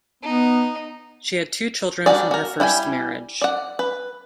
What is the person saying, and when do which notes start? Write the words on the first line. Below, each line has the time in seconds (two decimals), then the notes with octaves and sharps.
She had two children from her first marriage.
0.23 B3 D#4
2.06 G3 D4 F#4 G#4 D5
2.31 F#4 A#4
2.60 G3 E4 G5 G#5
3.41 D5 F#5
3.79 B4